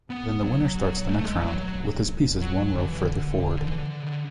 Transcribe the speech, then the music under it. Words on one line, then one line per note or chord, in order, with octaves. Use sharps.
Then the winner starts the next round, with his pieces one row further forward.
B3
F#3
A3
G#3
E3
F#3
F#3
D3
E3
D3
D3
D3
E3
D3
C#3
D3